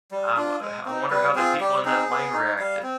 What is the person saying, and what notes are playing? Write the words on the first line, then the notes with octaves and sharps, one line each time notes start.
I wo how I wonder how the people in that lane reacted.
G3
D4 F4
G#3
C4 D#4
G3 B4
C4 F4 G#4
G3 G4
C4 D#4 G#4
B3
D#4
G3 F5
C4